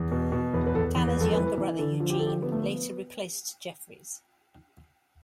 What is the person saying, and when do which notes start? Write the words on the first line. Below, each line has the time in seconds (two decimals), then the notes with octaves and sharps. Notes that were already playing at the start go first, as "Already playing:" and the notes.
Tanner's younger brother, Eugene, later replaced Jeffries.
Already playing: E2
0.12 B2
0.32 B2
0.54 E2 B4
0.67 B4
0.74 E2 A4
0.96 E2
1.07 B4
1.17 F2 A4
1.33 E3 B4
1.58 E3
1.79 D3 A4
2.00 F3
2.10 G4
2.19 D3 A4
2.27 G4
2.42 F3 B3
2.52 A3
2.62 B3